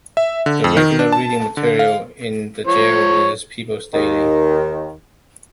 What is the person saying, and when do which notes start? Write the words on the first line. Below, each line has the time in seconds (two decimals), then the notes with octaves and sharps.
The regular reading material in the jail is "People's Daily".
0.17 E5
0.46 D3
0.64 F2
0.77 D#3
0.99 D4
1.12 A5
1.57 D3
1.79 F5
2.67 F3 C#5
3.94 D#2 D#3